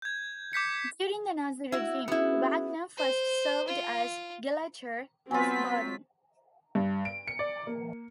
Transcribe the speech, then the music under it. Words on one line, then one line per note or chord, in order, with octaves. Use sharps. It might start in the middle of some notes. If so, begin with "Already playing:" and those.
During the Nazi regime, Wagner first served as Gauleiter of Baden.
G6 G#6
D6 G6 B6 C#7
E4 F#4
B3 C#4 E4 F#4 G#4
C5
F4
F#3 B3 C4 F4 G#5 B6
G2
D7
C#7
D5
A#3